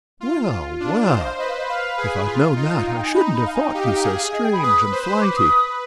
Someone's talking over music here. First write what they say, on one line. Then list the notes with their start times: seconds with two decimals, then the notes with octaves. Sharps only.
Well, well; if I'd known that, I shouldn't have thought you so strange and flighty.
0.20 F4
0.80 D4
1.09 C5 F5
1.17 D#5
1.24 F5
1.38 B4 D#5
1.49 F5
1.59 D#5
1.68 B4 F5
1.98 G#4
2.27 F4
2.56 D#4
2.86 F5
2.96 G5
3.06 G#5
3.15 D#4 B5
3.35 B5
3.46 F5
3.55 G#5
3.65 G5
3.74 G4 F5
3.85 F5
3.94 G5
4.03 G#4 F5
4.19 F5
4.33 D#5
4.43 G5
4.53 B5
4.63 B4 D#6
4.92 C5
5.21 B4 D6
5.37 D#6